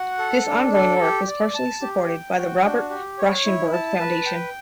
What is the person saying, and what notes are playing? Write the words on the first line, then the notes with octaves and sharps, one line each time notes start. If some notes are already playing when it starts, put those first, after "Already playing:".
This ongoing work was partially supported by the Robert Rauschenberg Foundation.
Already playing: F#4 F#5
A4
D4
A4
G4
D5
A5
G4
G5
F#4
D4
G4
C#5
E4
A5
B4
G5